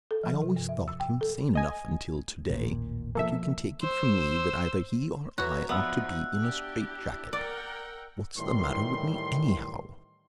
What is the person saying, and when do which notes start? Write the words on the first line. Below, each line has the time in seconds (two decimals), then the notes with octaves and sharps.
I always thought him sane enough until today, but you can take it from me that either he or I ought to be in a straitjacket. What's the matter with me, anyhow?
0.11 A4
0.24 F3
0.42 C3
0.56 G2
0.69 E5
0.88 E6
1.00 G5
1.21 A4
1.55 D#5 G#5
2.50 A1 D#2 A#2
3.15 B2 F3 A#3 A4 E5
3.83 C5 E6
5.38 F#4 A4 B4 C#5 E5 A#5
5.69 F3 B3 D#4 D5 E5 F#5 E6 F#6
6.41 D4 E4 G4
7.33 A#4 D5 F#5 G5
8.37 A2 D#3 E3 G3 C6